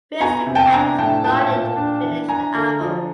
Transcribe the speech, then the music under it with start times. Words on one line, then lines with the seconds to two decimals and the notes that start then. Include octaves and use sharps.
Fritz the Cat was brought in to finish the album.
0.20 B3 G#5 A#5
0.46 C3
0.55 G5 A5
0.73 D4 G#5 A#5
0.98 A2 G5 A5
1.24 A#2 G5 A5
1.51 A#2
1.76 D4
2.03 E3
2.28 D4 G#5 A#5
2.54 D3
2.80 F3